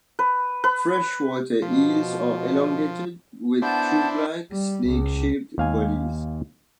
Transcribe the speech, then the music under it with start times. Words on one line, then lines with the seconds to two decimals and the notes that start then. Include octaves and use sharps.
Freshwater eels are elongated with tubelike, snake-shaped bodies.
0.19 B4
0.64 B4
1.62 B2 F3
3.62 B3 D4 E4 C5 F#5 A5 G6
4.51 G3
4.87 C#2
5.58 D#2 F5 G#5